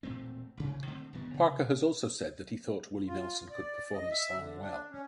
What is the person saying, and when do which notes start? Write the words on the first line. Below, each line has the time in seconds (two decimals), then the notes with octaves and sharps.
Parker has also said that he thought Willie Nelson could perform the song well.
0.03 E1 A#2 A3 C4
0.57 A1 C3
0.87 D3 A3 C4
1.13 E1 G2 D#3 B3
1.34 C3
3.07 F4
3.50 D5
3.93 D#5
4.11 E5
4.36 D3
4.59 D4
4.91 C#4